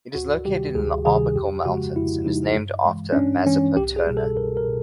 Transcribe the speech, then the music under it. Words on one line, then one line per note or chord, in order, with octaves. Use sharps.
It is located in the Arbuckle Mountains and is named after Mazeppa Turner.
D2 F#4
C3 D#3 G3 G4
D2 G#4
C3 D#3 G3 G#4
F2 G4
C#3 F3 G#3 F#4
F2 E4
C#3 F3 G#3 D#4
G2
E3 G#3
C#4
G2 D4
E3 G#3 C#4
C2 G4
G#4
B2 G3
A4
C2 A#4
A#4
B2